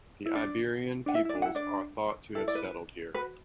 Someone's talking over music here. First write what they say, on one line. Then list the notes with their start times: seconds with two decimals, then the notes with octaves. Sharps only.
The Iberian peoples are thought to have settled here.
0.26 E4
0.35 D4 D5
1.06 D4 F#5
1.15 E4 E5
1.25 E4
1.29 D5
1.35 D4
1.42 F#5
1.46 E4
1.55 D4 D5
2.35 E4 A4
2.48 D5
2.55 B4
3.14 F#4 B4